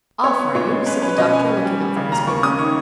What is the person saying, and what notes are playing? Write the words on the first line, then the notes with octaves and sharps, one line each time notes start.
"Off, are you?" said the doctor, looking up from his paper.
B3 C#5
B3
A#2 C#5
G#3
C#4 B4
C#4 B4
B2 D#5
C#4 G#5
G3
G3
G3
C#3
D#2 A#5
A#3 C#6
C#4 D#6
D#3 C#6